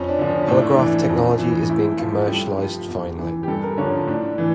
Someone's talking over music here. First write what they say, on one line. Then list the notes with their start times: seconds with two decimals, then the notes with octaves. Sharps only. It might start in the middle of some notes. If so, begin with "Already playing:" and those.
Holograph technology is being commercialized finally.
Already playing: F2 C#4
0.08 D4
0.19 D3 F3
0.29 C#4
0.48 A2 D4
0.59 E4
0.70 D4
0.79 E3
1.09 F2
1.38 E3
1.68 A2 E4
1.98 F3 F4
2.22 A4
2.28 G2 G4
2.58 F3
2.88 E2
3.18 E3
3.43 G4
3.48 G2 A4
3.63 A#4
3.78 D3 F3 C#5
4.07 A2 D4
4.38 E3